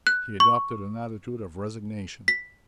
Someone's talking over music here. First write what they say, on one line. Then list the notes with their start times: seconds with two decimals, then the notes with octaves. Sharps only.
He adopted an attitude of resignation.
0.07 F#6
0.40 C#6
2.28 B6